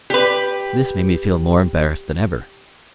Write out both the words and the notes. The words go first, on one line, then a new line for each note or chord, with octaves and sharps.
This made me feel more embarrassed than ever.
G4 B4